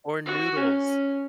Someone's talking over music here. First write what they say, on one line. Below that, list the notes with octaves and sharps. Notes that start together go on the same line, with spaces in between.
Or noodles.
F#4
C#4